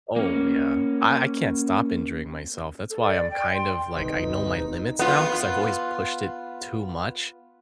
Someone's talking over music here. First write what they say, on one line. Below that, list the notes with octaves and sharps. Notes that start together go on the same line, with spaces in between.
Oh, yeah. I I can't stop injuring myself, that's why I'm kind of like, I know my limits now, 'cause I've always pushed it too much.
A#3 C#4
A4
D5
G5
C6
D1 G#1 B2 D#4 B4
B3 F4